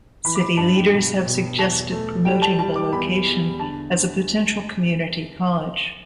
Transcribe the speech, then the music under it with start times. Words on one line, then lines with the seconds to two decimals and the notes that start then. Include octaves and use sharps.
City leaders have suggested promoting the location as a potential community college.
0.25 E3 B5
0.35 D6
0.40 B5
0.57 G2 A5
0.75 G5
0.92 B2
1.25 B2
1.58 E2 A5
1.92 A3
2.25 G3 G5
2.42 A5
2.59 G3 A5
2.76 D6
2.92 E2 B5
3.27 E2
3.59 D3 A5